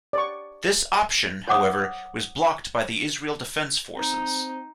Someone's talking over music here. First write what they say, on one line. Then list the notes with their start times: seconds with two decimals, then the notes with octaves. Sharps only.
This option, however, was blocked by the Israel Defense Forces.
0.13 D5 C#6
1.48 C5 C#5 F#5 D6 D#6
3.96 C4 D#4